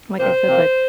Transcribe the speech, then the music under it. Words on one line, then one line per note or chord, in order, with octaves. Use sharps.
like I said, like,
C3 F3 A#3 C5
C3 F3 A#3